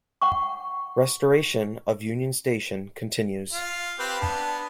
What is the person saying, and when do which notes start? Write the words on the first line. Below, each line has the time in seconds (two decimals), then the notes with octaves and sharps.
Restoration of Union Station continues.
0.21 F#5 G5 C#6
3.53 F4
3.99 C4 G4 B4 G5
4.21 B3 D4